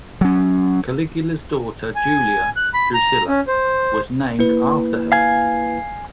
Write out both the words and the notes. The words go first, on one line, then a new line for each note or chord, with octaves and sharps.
Caligula's daughter, Julia Drusilla was named after her.
F#3 C#4
G#5
F#6
B5
A#5
C#4
C5
A#3 E4 B4
F5 G#5